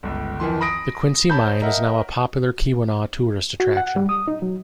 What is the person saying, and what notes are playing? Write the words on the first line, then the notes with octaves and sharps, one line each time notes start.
The Quincy Mine is now a popular Keweenaw tourist attraction.
G1 C#2
F2 D#3 E3 C6
B5 D#6 A#6 D7
C#5 A5 B5 G6
A#4 D#5 E5 F#5
F#4
F#5
G3
D#6
D#4
F#3